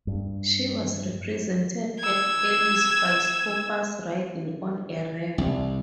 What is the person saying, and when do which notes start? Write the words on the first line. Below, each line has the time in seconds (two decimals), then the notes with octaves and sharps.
She was represented at Elis by Scopas riding on a ram.
0.07 G2
2.00 E6 G#6
5.38 C2